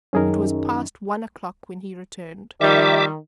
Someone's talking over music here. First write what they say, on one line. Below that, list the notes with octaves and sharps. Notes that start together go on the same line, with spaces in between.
It was past one o'clock when he returned.
F#2 D#3 C#4 G#4 A#4
D#3 F3 G3 E5 D6